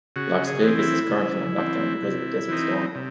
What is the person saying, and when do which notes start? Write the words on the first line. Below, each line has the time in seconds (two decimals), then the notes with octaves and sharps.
Las Vegas is currently on lockdown because of a desert storm.
0.16 C#3 F#4
0.47 G#4
0.62 E3 C4
0.79 E4
1.09 C#3
1.56 E3 C4
2.02 C3
2.49 E3 C4 D#4
2.95 C3